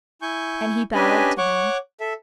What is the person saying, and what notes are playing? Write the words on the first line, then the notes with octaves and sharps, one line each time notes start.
And he bowed to him.
E4 G#5 C#6 G6
C#4 D4 G4 B4 D#5 G#5
C#5 F#5 C#6 D6
A4 E5